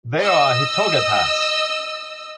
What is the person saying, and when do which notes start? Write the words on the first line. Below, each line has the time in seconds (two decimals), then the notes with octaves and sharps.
They are Hitogatas.
0.18 D#5 E6